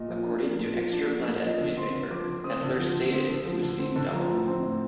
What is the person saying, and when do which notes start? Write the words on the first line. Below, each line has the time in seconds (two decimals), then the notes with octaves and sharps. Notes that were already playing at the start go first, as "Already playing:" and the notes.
According to Ekstra Bladet newspaper, Kessler stated he was seeing double.
Already playing: A#2 D#5
0.09 F3
0.25 D4
0.42 A#3
0.59 A#2
0.76 F3
0.93 D4
1.10 A#3
1.27 A#2
1.43 F3 D#5
1.60 D3
1.77 C4 C6
1.94 D3
2.11 F3 D6
2.27 D3
2.44 C4 D#6
2.61 D3
2.78 F3
2.95 D3
3.11 C4
3.29 D3
3.45 F3
3.63 D3
3.79 C4
3.96 D3
4.13 F3 A#5
4.30 A2
4.47 C4
4.63 A2